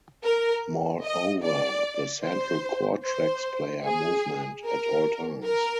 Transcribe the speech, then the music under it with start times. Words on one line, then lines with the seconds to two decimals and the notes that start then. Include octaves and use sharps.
Moreover, the central core tracks player movement at all times.
0.24 A#4
1.04 D#5
1.44 D5
2.24 C5
3.05 C5
3.85 G#4
4.65 A#4
5.45 A#4